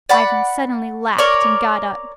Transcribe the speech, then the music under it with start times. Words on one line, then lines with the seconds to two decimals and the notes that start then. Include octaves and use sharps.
Ivan suddenly laughed and got up.
0.09 D5 F#5 B5
1.18 A#4 C#5 D5